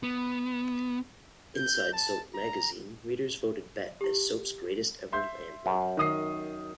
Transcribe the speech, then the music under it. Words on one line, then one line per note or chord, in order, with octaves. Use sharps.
Inside Soap magazine readers voted Bet as soaps 'Greatest ever Landlady.
B3
G6
A5
A#5
E4 G4
E5 C6 G6
F#2
D#3 D#6 C7